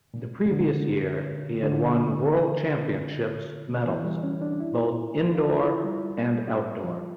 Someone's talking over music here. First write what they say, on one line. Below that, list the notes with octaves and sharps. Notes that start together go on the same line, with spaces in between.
The previous year he had won World Championships medals both indoor and outdoor.
A#2
D3
D3
E3
G3
C#4
D4
E4
F4
E4
G3
F3